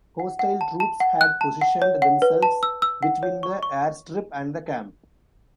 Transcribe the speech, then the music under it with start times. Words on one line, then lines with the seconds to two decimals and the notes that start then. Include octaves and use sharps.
Hostile troops had positioned themselves between the airstrip and the camp.
0.20 F#5
0.39 F#5
0.61 A5
0.80 A5
1.00 F#5
1.21 F#6
1.41 A5
1.61 F#5
1.82 C#5
2.02 F#5
2.22 B4
2.43 A5
2.63 E6
2.82 E6
3.03 F#5
3.23 C#5
3.43 C#6
3.63 C#6